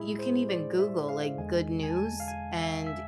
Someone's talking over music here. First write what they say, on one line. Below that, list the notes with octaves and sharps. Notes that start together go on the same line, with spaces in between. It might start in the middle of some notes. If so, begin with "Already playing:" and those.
you can even Google, like, "good news", and
Already playing: A2 G#3 E4 G#4
C5
D5
E5
F5
E2 D3 G#3 G#5
G#5
A5
G#5
F5
G#5
E5
E5